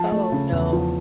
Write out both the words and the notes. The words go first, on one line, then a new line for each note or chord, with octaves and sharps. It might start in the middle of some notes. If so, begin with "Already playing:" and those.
Oh, no.
Already playing: F3 A5
A3
C#3
E2
F3